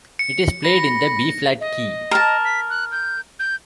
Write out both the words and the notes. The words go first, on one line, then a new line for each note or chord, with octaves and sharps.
It is played in the B flat key.
C#7
B5 A#6
D#5
A#4 A5
B6
F#6
G6
G6